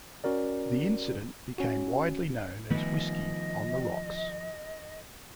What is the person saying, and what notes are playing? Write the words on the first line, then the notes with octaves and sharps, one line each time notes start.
The incident became widely known as Whiskey on the Rocks.
C#4 F#4 A#4 D5
C#4 F#4
D#3 F3 A3 B3 B4 D#5